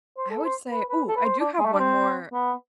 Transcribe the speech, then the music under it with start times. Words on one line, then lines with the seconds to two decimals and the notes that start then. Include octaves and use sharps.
I would say ooh, I do have one more
0.18 C5
0.30 A4
0.45 C5
0.71 B4
0.89 B4
1.08 A4
1.16 B4
1.25 C5
1.39 D4
1.59 G#3
1.65 A3
1.73 D4
1.79 C4
2.33 B3